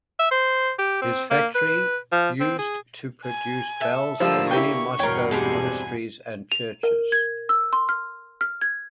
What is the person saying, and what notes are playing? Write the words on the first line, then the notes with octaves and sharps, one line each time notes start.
His factory used to produce bells for many Moscow monasteries and churches.
E5
C5
G4
C4
A#3
B4
F3
C4
G#4
G#5
A4 E5
D3 F3 G3 A3 A#3 F4 E6
E4 G4 G5 C#6
E2 G2 B2 A#4 C#5 G5
G3 G#3 C4 D4 G#5
F7
A#4
G#6
E6
C6
F6
F6
G#6